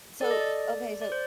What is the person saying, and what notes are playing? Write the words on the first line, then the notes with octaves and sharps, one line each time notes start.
So, okay, so,
A4 D5
D#5
D5
D5
C5